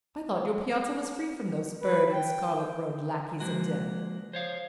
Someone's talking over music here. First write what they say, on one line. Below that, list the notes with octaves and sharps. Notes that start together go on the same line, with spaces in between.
I thought your piazza was free from those furred and scarlet-robed lackeys of death.
B4
G5
F3 G#3 A#3 F#4
C5 C#5 F5